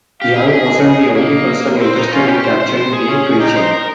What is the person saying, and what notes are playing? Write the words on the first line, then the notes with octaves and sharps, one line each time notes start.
Young wasn't the only person interested in capturing the creature.
G4 F5
G#4
G4
G#4 D#5
A#3 D#5
C4 C5
D#4
C#4 F4
G4
C5
C5
C5
G#4
C#4
D#4 G4
C5
A#4